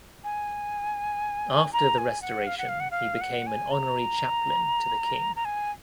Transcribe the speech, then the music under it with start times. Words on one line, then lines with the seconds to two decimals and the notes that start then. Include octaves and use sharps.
After The Restoration he became an Honorary Chaplain to the King.
0.24 G#5
1.73 A#5
1.98 G#5
2.22 F#5
2.47 F5
2.58 F#5
2.69 F5
2.80 F#5
2.91 F5
3.21 F#5
3.47 G#5
3.71 A#5
5.36 A#5
5.45 G#5